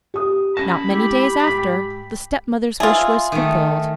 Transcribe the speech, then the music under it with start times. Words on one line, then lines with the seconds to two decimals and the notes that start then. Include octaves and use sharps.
Not many days after, the stepmother's wish was fulfilled.
0.14 G4 D#6
0.57 C#4 A#4 A5 B5 A#6
0.90 G#3 E4 G4
1.47 G#2 B6
2.80 E4 F4 G#4
3.32 D#3 A3